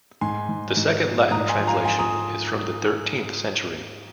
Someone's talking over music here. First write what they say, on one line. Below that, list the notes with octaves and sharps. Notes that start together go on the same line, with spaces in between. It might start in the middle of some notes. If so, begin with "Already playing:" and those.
The second Latin translation is from the thirteenth century.
G#2 G#5 C6
G#2
G#2
F3
G#2 A#5 D#6
G#5 C6
F3
F5 A#5
F3 G#5 C6
A#5 D#6